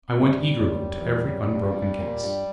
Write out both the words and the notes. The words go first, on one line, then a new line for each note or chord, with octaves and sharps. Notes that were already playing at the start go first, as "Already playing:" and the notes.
I went eagerly to every unbroken case.
G2 G3
F#2
E2
F#2
G2
A#2
G2
G2
A#2
G2